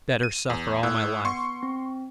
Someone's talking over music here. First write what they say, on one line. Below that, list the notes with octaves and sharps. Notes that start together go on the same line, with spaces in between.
"Better suffer all my life."
D#7
E2
A2 E6 F#6
B3 C6 C#6
C4